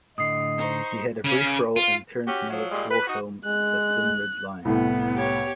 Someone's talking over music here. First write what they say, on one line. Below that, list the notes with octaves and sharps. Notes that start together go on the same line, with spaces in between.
He had a brief role in Terrence Malick's war film, "The Thin Red Line".
A2 D3 D#5 D#6 C7
D#4 C5 C#6
C#3 C#4
F4
C#4 F#4 G4
F3 F#3
A#2 G3 G#3
B4
D#4 F#4
G#3 F#6
C2 A2 B3
G4 C#5